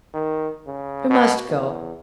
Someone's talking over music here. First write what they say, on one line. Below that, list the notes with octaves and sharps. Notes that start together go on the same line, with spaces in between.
You must go.'
D#3
C#3
B2
E2